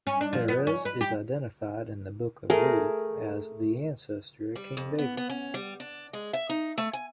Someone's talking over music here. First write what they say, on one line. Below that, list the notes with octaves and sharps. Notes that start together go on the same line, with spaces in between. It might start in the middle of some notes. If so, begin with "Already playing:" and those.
Perez is identified in the Book of Ruth as the ancestor of King David.
C#4
D4
F3
B3
C#4
B4
G4
A3 G#4 A#4
G3
F2
B3
B3
C#4
G3
D4
G#3
E5
D#4
A3
G#5